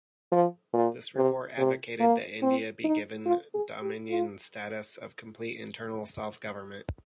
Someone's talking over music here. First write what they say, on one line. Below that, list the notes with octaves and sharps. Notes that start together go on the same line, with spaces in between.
This report advocated that India be given dominion status of complete internal self-government.
F3
A#2
C3
C3
A#3
C4
D#4
F4
G#4
G4
F4